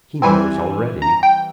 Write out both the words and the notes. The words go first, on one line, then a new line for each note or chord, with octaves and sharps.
He knows already.
E3 G3 C4 G#5
A#5
G5